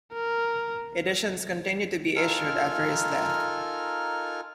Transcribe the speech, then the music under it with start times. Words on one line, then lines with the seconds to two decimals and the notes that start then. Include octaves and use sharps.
Editions continued to be issued after his death.
0.14 A#4
2.16 D#4 F4 A4 A#4 G#5 F6